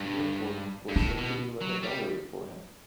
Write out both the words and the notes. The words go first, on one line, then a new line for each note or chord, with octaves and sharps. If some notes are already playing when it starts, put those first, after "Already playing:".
The record was said to be like a diary for him.
Already playing: G2
G2
A2 E4
B2
F#3
G3